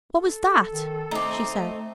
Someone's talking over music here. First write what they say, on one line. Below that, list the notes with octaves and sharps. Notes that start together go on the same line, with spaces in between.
"What was that?" she said.
A4
D#3
A3 C4 D#4 A#5 D6